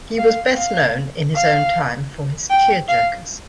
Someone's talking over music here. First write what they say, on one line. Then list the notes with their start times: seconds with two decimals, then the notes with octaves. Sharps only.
He was best known in his own time for his "tear-jerkers".
0.18 F5
0.57 F5
1.35 F5
2.50 G5
2.89 F5